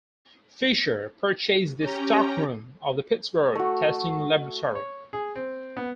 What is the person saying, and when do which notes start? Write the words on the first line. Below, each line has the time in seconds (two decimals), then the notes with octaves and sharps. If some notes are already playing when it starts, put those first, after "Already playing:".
Fisher purchased the stockroom of the Pittsburgh Testing Laboratory.
1.78 C#4 G4 G5 A#5
3.55 A3 F#4
4.75 C#5
5.13 G#4
5.36 C4
5.77 B3